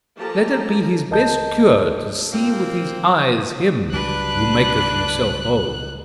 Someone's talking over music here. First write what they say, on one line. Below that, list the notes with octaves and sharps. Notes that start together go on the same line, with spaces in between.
Let it be his best cure to see with his eyes him who maketh himself whole.
F3 A#3 G4 A4 A5 A#5
C#2 A#4 D#5 A5 G6
A#2 A#3 C4
C#2 F#3 G3 D4 B4 F#6